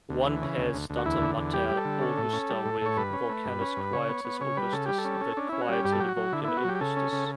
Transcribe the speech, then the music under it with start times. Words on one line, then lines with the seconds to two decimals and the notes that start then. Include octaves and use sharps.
One pairs Stata Mater Augusta with Volcanus Quietus Augustus, the 'Quieted' Vulcan Augustus.
0.10 D2
0.26 E3
0.42 C#3
0.58 D2
0.74 D2
0.90 D2
0.97 F#4
1.06 E2 E4
1.22 D3
1.37 E2
1.54 G3 G4
1.69 G3
1.77 A4
1.85 D3
2.01 C#4
2.18 A2
2.33 C#4
2.50 G3
2.65 A2
2.81 A2 C#5
2.97 G2 B4
3.13 C#4
3.29 A3
3.45 G2
3.61 C#4
3.77 G2
3.93 C#3 C#5
4.09 B3
4.25 B3
4.41 C#3 C#5
4.57 G3 B4
4.73 C#3 A4
4.86 G3 G4
4.98 A4
5.05 C#4
5.21 C#4
5.37 C#4 D4
5.49 C#4 E4
5.61 F#4
5.69 G3 G4
5.85 G2 G4
5.92 A4
6.00 F#3 G4
6.08 F#4
6.17 F#3
6.33 D3 E4
6.44 B3 E4
6.57 F#4
6.65 F#3 G4
6.75 G4
6.80 C#3 A4
6.97 C#4
7.12 C#3